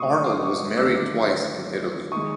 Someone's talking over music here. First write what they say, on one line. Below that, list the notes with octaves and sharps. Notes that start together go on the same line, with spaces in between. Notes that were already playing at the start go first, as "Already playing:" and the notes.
Arnold was married twice in Italy.
Already playing: A#2 F#3 A3 C6 C#6 D#6
D6
C#6
C6 D6
C#6 D#6
D#2 D3 F#3 A3 D6 E6
D#3 G#3 C#6 D#6